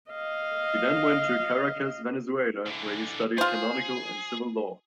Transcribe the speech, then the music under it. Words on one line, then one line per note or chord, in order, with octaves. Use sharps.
He then went to Caracas, Venezuela where he studied Canonical and Civil Law.
D#5 F5
D3 E3
F4 G#4 C5